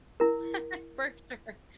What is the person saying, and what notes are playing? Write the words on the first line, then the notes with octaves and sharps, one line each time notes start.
Right? For sure.
E4 A#4